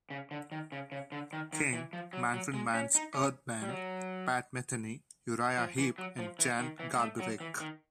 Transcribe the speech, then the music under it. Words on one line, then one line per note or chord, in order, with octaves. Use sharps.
King, Manfred Mann's Earth Band, Pat Metheny, Uriah Heep and Jan Garbarek.
C#3
D3
D#3
C#3
C#3
D3
D#3
D#3
E3
F3
F#3
F#3
G#3
C#4
D#4
C#4
G3
F#3
F3
E3
F#3
F3
E3
D#3
E3
A#3
A3
F#3
E3
D#3